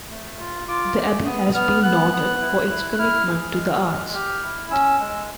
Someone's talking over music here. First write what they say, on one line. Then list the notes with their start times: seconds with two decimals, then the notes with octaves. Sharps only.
The abbey has been noted for its commitment to the arts.
0.10 A3
0.39 F4
0.68 F4 D6
0.96 A3
1.26 B3 D#6
1.54 B3 F6
1.83 B3 F#6
2.12 B3
2.41 E4
2.69 E4
2.93 F#6
2.98 E4 F6
3.27 G#4
3.55 G#3
3.84 G#3
4.13 G4 F6
4.42 E4
4.71 C#4 E6
5.00 G#3